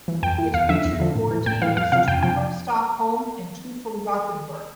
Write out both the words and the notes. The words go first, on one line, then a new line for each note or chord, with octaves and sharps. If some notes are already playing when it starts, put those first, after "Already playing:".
It featured four teams, two from Stockholm and two from Gothenburg.
E3
F2 G5
E3
E2 F5
D3 F3 E5
E2
D3 F3
A2
E3
A2 G5
E3 F5
F2 F5
C3 F3 F5
F2 G5
C3 F3 G5